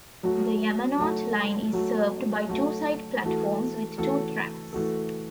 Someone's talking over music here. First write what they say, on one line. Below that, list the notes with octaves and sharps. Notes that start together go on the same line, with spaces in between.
The Yamanote Line is served by two side platforms with two tracks.
F#3 A3 F#4
F#3 A3 F#4
F#3 A3 F#4
F#3 A3 F#4
E3 A3 F#4 A4
E3 A3 F#4 A4
E3 A3 F#4 A4